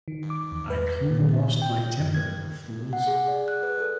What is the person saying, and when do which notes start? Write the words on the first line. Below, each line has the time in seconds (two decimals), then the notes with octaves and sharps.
I clean lost my temper, the fools!
0.08 D#3
0.30 D6
0.52 E2
0.70 B4
1.11 A#2
1.62 G5
2.00 F#2
2.14 G#6
2.93 F#5
3.07 G#4
3.28 D5
3.48 F#6
3.63 B4
3.80 A4